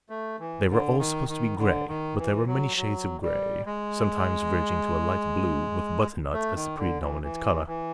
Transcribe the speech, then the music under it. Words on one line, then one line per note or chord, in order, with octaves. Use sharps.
They were all supposed to be gray, but there were many shades of gray, sometimes verging to a light blue, with butternut as the predominant color.
A3
E3
D3
D#3
D#3
D3
D#3
E3
F#3
F#3
G3
G#3
A3
D#3
D3
E3
E3
E3